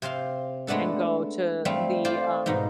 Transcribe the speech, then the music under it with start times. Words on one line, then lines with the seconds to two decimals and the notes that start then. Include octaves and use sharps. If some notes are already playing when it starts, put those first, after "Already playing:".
and go to the, um
0.02 C3 C5 F5 C6
0.67 G#3 A3 B3 D4 A4
1.65 G3 A3 C4 F5
2.05 F4 C5 D5
2.46 G#2 B2 D#4